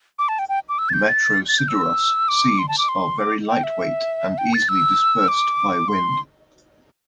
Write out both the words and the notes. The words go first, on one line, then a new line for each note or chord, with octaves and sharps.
"Metrosideros" seeds are very light weight and easily dispersed by wind.
D6
A5
G5
G5
D6
E6
A6
G6
A6
A6
G6
E6
D6
C6
A5
D6
C6
D6
G5
E5
G5
A6
E6
D6
C6